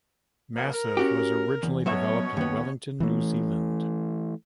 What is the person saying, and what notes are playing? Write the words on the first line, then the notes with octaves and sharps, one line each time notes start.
"Massive" was originally developed in Wellington, New Zealand.
B2 F3 A#3
A#4
C#4 F#4 G4
E2
B2 F#3 B3 C#4 C#5 E5
D#2 B3
E3 A3